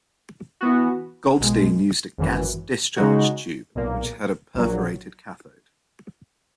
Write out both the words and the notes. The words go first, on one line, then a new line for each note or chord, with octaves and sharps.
Goldstein used a gas discharge tube which had a perforated cathode.
E3 B3 F#4
B1 B2 G#3
G#1 F#2 E3
C#3 G#3 D#4 F#4
B1 A#2 A#3
A#1 A#2 F#3